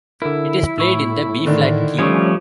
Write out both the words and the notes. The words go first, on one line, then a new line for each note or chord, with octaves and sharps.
It is played in the B flat key.
D3 E4 A#4
A2 B5 C#6 E6
D3 D#3 D4
F3 G3 A3 C#4 C#6 D#6 G#6